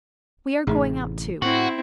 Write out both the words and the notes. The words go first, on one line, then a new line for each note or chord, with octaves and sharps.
We are going out, too.
A1 A2 C3 A3 D#4 G#4
A2 C4 E4 F#4